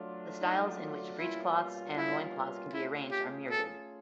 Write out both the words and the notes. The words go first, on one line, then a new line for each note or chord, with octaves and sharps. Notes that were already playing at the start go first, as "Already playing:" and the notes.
The styles in which breechcloths and loincloths can be arranged are myriad.
Already playing: F#3 A3 D4 F4
D#4
B2 G3 A#3 C#4 E4 F4
E4
A3 C#4 E4 F4 G#4
G4
A4